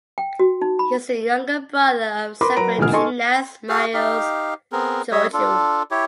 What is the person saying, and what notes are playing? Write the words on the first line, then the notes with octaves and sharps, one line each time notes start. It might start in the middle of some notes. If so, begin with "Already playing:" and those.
He is the younger brother of Cypriot gymnast Marios Georgiou.
G5
F#4
D#4
B5
A#4 B4 B5 C6 D6
F#3 A#4 B4 A#5 D7
E1 D2 A#2 G#3 G#4 F6
D#4 A4 D#5 G#5 C6 C#6
F#4 G#4 F5
D#4 G4 F5
B3 C4 G#4 A#4
G3 C#5 D#5 E5
D4 F4 A4
E4 G4 C#5